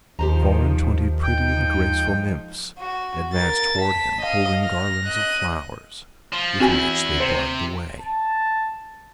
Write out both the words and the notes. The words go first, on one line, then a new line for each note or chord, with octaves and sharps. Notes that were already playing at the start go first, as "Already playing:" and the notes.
Four-and-twenty pretty and graceful nymphs advanced toward him, holding garlands of flowers, with which they barred the way.
D#2 D#3 F3 G4 C5 A#5
F3 G#3 D#4 G5
F#4
A#4 A6
A5 B6
D#5 F5
F6 A#6
D#5 F#6
F3
E2 C4 E4 F#4 G#5
C3 C5
A5